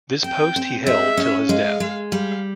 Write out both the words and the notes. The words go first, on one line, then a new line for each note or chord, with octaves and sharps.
This post he held till his death.
C4 G5
C4
G#3 E5
C#4
G#3 F5
G#3
G3 F5